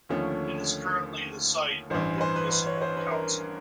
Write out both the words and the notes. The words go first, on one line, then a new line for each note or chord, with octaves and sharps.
It is currently the site of the municipal council.
D#2 D3 F3 A3 C#4
A1 G2 E3 C5
B4
C5
B4
B4
C#5
C5
B4
A#4